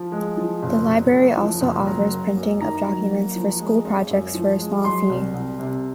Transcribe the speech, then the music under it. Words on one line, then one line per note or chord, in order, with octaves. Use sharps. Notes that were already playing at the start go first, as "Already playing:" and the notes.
The library also offers printing of documents for school projects for a small fee.
Already playing: F3
G#3
F3
F#1
F#1
F#2
F3
F#1
F#3 A#5
A#3
F#2
D#3 A#5
F#3
A#3
F3
G#3
G#1
F#2
F3
G#3
F#3 C6
C2
C2
C3